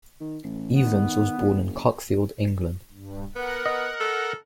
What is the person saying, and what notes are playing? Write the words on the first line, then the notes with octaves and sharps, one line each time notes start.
Evans was born in Cuckfield, England.
D#3
A1
B3
D#3
F#1
G2
B3 A#4 F#5
B3 D#5
A4